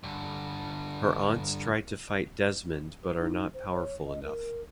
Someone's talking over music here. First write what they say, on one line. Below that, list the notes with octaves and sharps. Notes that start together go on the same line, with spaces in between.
Her aunts try to fight Desmond but are not powerful enough.
G2 D3
D#4
C5
C#5
D#5
A#4